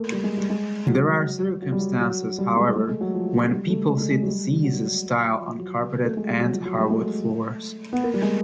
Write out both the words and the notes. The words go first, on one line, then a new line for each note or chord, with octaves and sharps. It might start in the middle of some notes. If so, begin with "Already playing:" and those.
There are circumstances, however, when people sit "seiza"-style on carpeted and hardwood floors.
Already playing: A3 A#3
G3
G#3
G3
G#3
F#3
F#3
G3
F#3
F#3
G3
G#3
A3
G#3
F#3
F3
G3
A3
G#3
A3
G#3
F#3
G3
F#3
F3
F#3
A3
G#3
G3
F#3
F3
F#3
G#3
A3
B3
A#3
G3
G#3